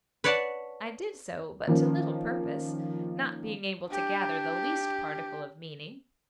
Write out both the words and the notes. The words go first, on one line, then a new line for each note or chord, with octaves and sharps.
I did so, but to little purpose, not being able to gather the least particle of meaning.
B4 C#5 D5 F#5 A5
D#3 F3 A#3 C#4
D4 G4